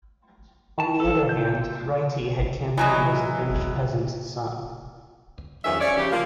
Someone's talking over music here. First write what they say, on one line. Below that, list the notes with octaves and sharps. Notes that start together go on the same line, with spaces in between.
On the other hand, Ryti had campaigned as a Finnish peasant's son.
A5
A4
G6
E3 F#3 G#3
E2 G2 D#3 F3 C#4 E5
C#4 C#5 D5
C#3 F3 G4
F3 A#3